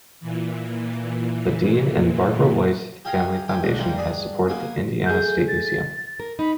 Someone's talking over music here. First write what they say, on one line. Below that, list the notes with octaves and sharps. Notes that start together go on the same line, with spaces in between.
The Dean and Barbara White Family Foundation has supported the Indiana State Museum.
A#2 E3
G4 G#4 F5 G5 G#5 A#5
G4 G5 G#5 D6
B1 D3 G#3 A3
E3 G3 A#3 D#4 C5
G2 G#4 D5
A#3 B3 G#5
A3 G#4 G6
A6
A#4
D#4 B5